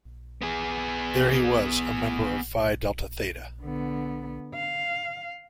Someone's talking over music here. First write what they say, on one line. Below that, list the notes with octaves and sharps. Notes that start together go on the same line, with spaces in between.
There he was a member of Phi Delta Theta.
B3 G#4
D3 B3
F5